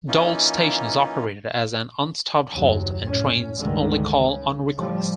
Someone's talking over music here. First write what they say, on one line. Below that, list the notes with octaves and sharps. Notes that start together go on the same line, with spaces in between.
Dduallt station is operated as an unstaffed halt and trains only call on request.
E3 A#3 C#4 D#4 F4
F#1 D#2 F#3
A2 C#4
C#2 G2 D3 D#3 G#3 A3
C#3
A2 F3 G3